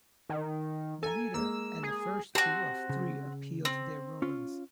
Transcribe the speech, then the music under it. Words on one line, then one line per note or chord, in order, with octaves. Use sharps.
The leader and the first two of the three appealed their rulings.
D#3
A4 G#5 A#5
G#3 A#3 E6
G#4
C4 F#4 G4 A5
C#3
C4
C#4 F4